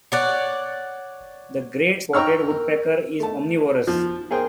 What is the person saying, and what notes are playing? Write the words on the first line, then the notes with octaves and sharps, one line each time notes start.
The great spotted woodpecker is omnivorous.
C#5 D5 F#5
G5 A#5 C#6 E6 F6
A#4
A3 A5
F3
G#4 A#4 C5 G5